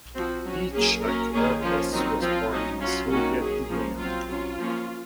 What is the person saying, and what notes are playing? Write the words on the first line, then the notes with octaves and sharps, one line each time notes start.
Yitshak Orpaz was born in the Soviet Union.
F3 C4 F#4
F#3 C#4 F#4
F#3 A#3 C#4 G#4
F#3 A#3 C#4 A#4
D#3 A#3 C#4 G#4
F3 A#3 C#4 F4
D#3 F#3 C4 D#4
F3 C4 F4
F#3 C#4 D#4
F#3 C#4 F4
D#3 A#3 C#4 F#4
F#3 C#4 G#4
F3 A#3 C#4
F#3 C4 F4
F#3 C#4 F4
F3 A#3 C#4